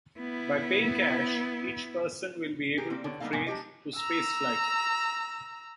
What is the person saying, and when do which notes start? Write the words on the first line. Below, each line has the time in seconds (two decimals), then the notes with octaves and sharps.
By paying cash, each person will be able to train to spaceflight.
0.19 B3 E4
2.78 G4 G#4 A#4
2.90 G3 A#3 C4
3.04 D3 B3 C#5
3.20 G3 A#3 B3 D#4 A4 F5
3.32 C3 D#3 F3 G#3 A#3 B3
3.47 D4 D#4 G4 D#5
3.96 A#5 E6